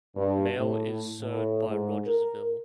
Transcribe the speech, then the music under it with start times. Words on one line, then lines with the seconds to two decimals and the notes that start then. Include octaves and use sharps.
Mail is served by Rogersville.
0.16 G2
0.58 A2
1.20 A2
1.68 G#2
2.07 A#4